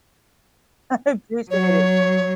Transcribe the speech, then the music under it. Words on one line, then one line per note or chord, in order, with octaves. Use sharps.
I appreciate it.
F#3 C#5